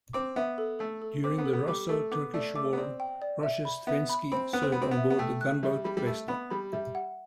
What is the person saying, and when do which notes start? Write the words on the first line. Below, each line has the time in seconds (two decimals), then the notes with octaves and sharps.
During the Russo Turkish War Rozhestvensky served on board the gunboat "Vesta".
0.13 C4 D6
0.36 B3 E5
0.58 A4
0.79 A3 A4
1.02 A4
1.24 C4 D6
1.38 B3
1.46 A4
1.53 B3
1.68 G3 D6
1.89 A3 A4
2.11 B3 D6
2.34 A3 D5
2.55 A3 D6
2.73 B3
2.78 C4 D5
3.00 G5
3.22 D5
3.43 E5
3.65 B5
3.87 B3 E5
4.09 B5
4.32 C4 B5
4.53 B3 F#6
4.63 C4
4.72 B3 B5
4.82 C4
4.91 B3
4.97 E5
5.10 B3
5.18 A3 G5
5.41 F#6
5.63 G3 E5
5.84 G3 B5
5.97 G3
6.07 A3 E5
6.28 B3 B5
6.50 G3 B5
6.73 G3 E5
6.95 F#5